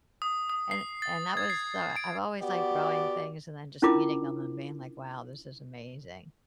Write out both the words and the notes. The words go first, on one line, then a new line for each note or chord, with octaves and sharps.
and and that was, uh I've always liked growing things and then just eating 'em and being like, "Wow, this is amazing."
D#6
D#6
C7
A6
G#6
C7
D7
B3 F#4 G4 D5
C#4 D4 E4 F4 A#4 D6